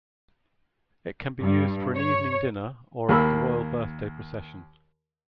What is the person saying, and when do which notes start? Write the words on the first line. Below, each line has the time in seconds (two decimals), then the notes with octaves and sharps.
It can be used for an evening dinner or at the Royal Birthday Procession.
1.41 G2
1.96 C#5
3.09 D#2 A#3 B5 E6